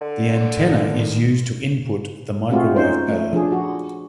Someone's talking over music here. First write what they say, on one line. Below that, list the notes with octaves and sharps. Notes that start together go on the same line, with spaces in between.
The antenna is used to input the microwave power.
D3
A2 D#3
G#3 A3 C4 F4 F#4 G#4
C#4 D#4 F4 C5
A3
F3 D4 G#4
F#4